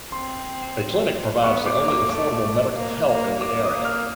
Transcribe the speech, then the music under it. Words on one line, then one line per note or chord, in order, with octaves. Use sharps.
A clinic provides the only affordable medical help in the area.
C4 C6
B3 C#6
D6
A#3
D6
A3 D6
A#3
A#3
A#3 D6
D#6
A#3
F6